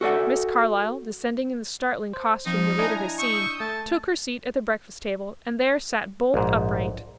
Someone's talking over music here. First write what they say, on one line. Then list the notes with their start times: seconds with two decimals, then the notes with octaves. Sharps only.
Miss Carlyle descended in the startling costume the reader has seen, took her seat at the breakfast-table, and there sat bolt upright.
0.01 F#4 A4 D5 F#5
2.14 C5
2.46 F3 C4 D#4
2.79 D4 E4 D#5 G#5 A#5
3.19 C#6 D#6 E6 G6
3.60 A3 A5
6.34 A#1 G#2